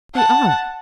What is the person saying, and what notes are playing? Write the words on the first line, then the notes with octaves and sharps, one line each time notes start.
They are.
F#5 A5